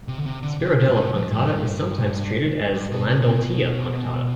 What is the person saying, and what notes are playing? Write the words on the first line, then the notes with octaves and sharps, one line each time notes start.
"Spirodela punctata" is sometimes treated as "Landoltia punctata".
C3
D3
C3
D3
C3
C3
G2
A2
F2
G2
G2
B2
C3
C3
B2